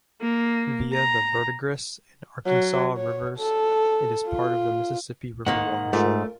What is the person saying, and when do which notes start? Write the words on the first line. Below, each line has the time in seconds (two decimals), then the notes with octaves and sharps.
Via the Verdigris and Arkansas rivers, it is part of the Mississippi River watershed.
0.21 A#3
0.94 A#5
2.46 F#3
2.98 C#5
3.38 A4
4.27 F4
5.46 G#2 D#3 A#3 F#5
5.93 G#2 A3 F4 A#4